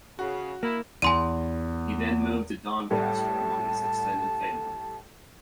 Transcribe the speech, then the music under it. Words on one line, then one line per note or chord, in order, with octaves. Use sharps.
He then moved to Doncaster among his extended family.
C#3 F#4
A#3 E4
E2 G#5 C6 D#7
A2 G3 A3 A5